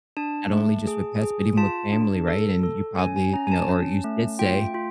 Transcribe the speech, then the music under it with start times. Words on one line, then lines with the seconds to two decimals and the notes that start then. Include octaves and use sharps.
not only just with pets, but even with family, right, and you probably, you know, or you did say,
0.17 D4 A5
0.52 A3
0.87 G#4
1.22 G#4
1.57 F4 A5
1.92 D4
2.28 A4
2.63 A4
2.98 C#4 G#5
3.16 G#5
3.33 C#4 A#5
3.47 G#5
3.52 A5
3.69 C#4
4.04 A3
4.39 F4 G5
4.74 F4